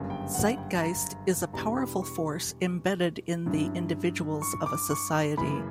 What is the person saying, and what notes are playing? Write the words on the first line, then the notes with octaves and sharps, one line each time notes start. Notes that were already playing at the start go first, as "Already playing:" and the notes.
Zeitgeist is a powerful force embedded in the individuals of a society.
Already playing: G1 F#2 C#3 G3 A#3
G5
F#5
G5
A#5
E2 B2 G3 B3 D4 A#5
B5
C#6
G2 F#3 C#4 E4
C#6
D6
C#6
F#2 C#3 E3 A#3 B5